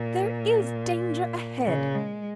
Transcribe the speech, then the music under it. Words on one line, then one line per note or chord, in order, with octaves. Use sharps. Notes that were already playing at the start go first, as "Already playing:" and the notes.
There is danger ahead.
Already playing: A#2
C#3
G#3